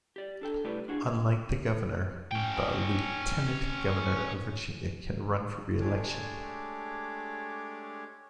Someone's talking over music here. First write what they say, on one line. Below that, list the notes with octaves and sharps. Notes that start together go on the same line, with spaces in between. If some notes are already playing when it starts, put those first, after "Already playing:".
Unlike the governor, the Lieutenant Governor of Virginia can run for re-election.
G4 D5
D4 A4 G5
C2 A3 E4 G4 B4 D5
D4 F4 F#4 G#4
C#4 G5
G#3 A3 D4 G4 C#5 D6